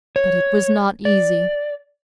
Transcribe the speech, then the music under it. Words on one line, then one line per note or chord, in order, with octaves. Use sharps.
But it was not easy.
C#5
D5